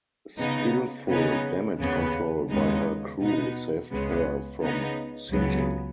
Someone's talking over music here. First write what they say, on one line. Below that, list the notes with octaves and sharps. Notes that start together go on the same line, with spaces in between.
Skillful damage control by her crew saved her from sinking.
C#3 B3 D#4
C#3 B3 D#4
D#2 C#3 B3
D#2 C#3 G#3 B3 D#4
B2 B3 D#4
C#2 C#3 G#3 B3
C#3 B3 D#4
C#2 C#3 F#3 B3